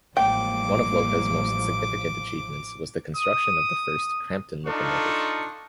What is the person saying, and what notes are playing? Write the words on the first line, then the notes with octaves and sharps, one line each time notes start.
One of Lowca's most significant achievements was the construction of the first Crampton locomotive.
A1 F3 G3 G#3 A#3 G5 D6
D#6
D4 D#4 F4 A4 C#6